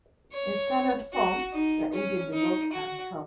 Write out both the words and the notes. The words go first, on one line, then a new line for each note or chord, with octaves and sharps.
In standard form, the engine developed and torque.
C#5
F#4
D#4
C#4
D#4
F#4